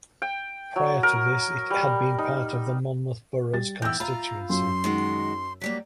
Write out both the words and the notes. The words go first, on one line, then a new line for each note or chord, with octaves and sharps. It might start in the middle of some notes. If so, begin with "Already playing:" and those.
Prior to this it had been part of the Monmouth Boroughs constituency.
G5
F#3
A#4
G3
D#4
G3 A6
E3 B3 G5 E6 G6
F4 F5 A#5 B5
F#2 C6
D#3 G#3 F#4
F#3 G3 A#3 B6